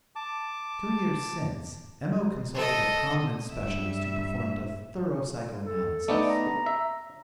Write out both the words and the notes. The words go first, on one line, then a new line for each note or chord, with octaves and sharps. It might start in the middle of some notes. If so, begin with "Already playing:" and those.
Two years since M.O. consulted a prominent specialist who performed a thorough psychoanalysis.
A5 D6
A4 D#5
G2 E5
A4
A3 B3 D#4 D5
A#5
E5